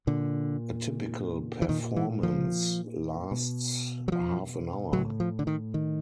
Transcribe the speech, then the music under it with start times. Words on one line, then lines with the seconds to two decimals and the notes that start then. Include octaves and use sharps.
A typical performance lasts half an hour.
0.07 A#2 D3
1.62 E3
1.69 A#2 D#3
1.96 E3
2.23 F3
3.31 B2
4.08 F#3
4.12 F3
4.93 A2 F#3
5.20 F3
5.39 D3
5.47 D#3
5.74 D#3